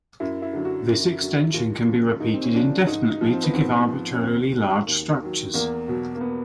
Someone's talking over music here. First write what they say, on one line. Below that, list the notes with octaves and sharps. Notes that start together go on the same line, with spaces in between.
This extension can be repeated indefinitely, to give arbitrarily large structures.
F#2 E4
E4
D3 F#3
F#4
F#2
D3 F#3
D#2 F4
C#3 F3
D#2 D#4
C4
C#4
C#3 F3 D4
G#2 D#4
D#4
F3
C4
B3
G#2 C4
F3
C#4
D#2 C4
D#3 F#3
D#2
D#3 F#3
E2 A#3
B2 F#3
A#3
B3